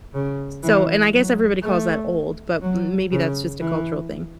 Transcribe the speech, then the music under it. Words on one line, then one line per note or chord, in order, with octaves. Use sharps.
so and I guess everybody calls that old, but m maybe that's just a cultural thing,
C#3
E3
F#3
A3
F#3
C#3
E3